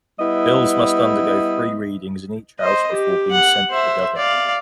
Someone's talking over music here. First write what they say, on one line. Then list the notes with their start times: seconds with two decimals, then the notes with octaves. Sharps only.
Bills must undergo three readings in each house before being sent to the governor.
0.19 G3 B3 E4 D#5
2.60 C5 D#5
2.92 G4
3.31 F#5
3.70 C5 E5
4.16 D5 F5